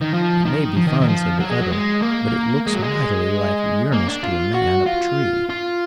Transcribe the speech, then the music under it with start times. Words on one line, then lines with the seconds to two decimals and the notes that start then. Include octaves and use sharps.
"It may be fun," said the other, "but it looks mightily like yearnest to a man up a tree."
0.01 D#3
0.14 F3
0.45 D#3
0.77 F3
0.87 D#3
1.01 D#3
1.08 F3
1.40 F#3
1.50 G#3
1.61 F#3
1.72 G#3
2.02 A#3
2.66 G#3
2.74 F#3
2.82 G#3
3.92 A#3
4.08 D4
4.23 F4
4.55 F#4
4.86 F4
5.50 F4